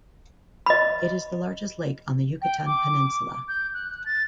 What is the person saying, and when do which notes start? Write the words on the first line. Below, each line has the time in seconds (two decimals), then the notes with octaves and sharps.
It is the largest lake on the Yucatan Peninsula.
0.66 D#5 B5
2.42 G5
2.66 D6
3.48 G6
3.74 F#6
4.06 A6